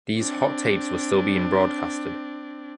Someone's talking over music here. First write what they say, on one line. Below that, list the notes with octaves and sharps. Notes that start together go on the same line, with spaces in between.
These hot tapes were still being broadcasted.
C4 D4